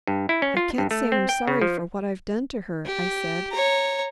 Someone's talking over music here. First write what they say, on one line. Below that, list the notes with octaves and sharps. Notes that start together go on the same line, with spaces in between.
"I can't say I'm sorry for what I've done to her," I said.
G2
E4
C#4
F4
G2
A3
C4
G5
C#3
F3
G4
C#5 A#5